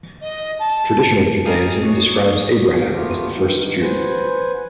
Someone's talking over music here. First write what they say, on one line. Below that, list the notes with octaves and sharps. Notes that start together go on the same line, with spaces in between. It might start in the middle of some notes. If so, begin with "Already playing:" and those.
Traditional Judaism describes Abraham as the first Jew.
D#5
A5
G3 D#4 F5 G#5 D#6 C7 F7
A#3 C#5
G#4 A#4
A3 B3 F4 G4
G2 D#3
B4 C5 F#5 G#5